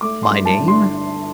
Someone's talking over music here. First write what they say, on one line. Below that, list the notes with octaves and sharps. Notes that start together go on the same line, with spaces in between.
"My name?"
A3 D6
C6
G2
A5
D3
C6